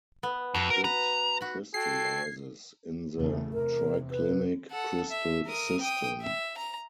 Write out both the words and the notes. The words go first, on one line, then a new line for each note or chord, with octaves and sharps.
It crystallizes in the triclinic crystal system.
B3
F2 F#4 B4
A#4
B4 A#5
F#4 B5
F#4 A4 G5 G#6 C7
E2 C#3 A3
E2 C3 A#4
B4
A4 F#5
E5
A#4 D#6
G5 D#6
E5
A#5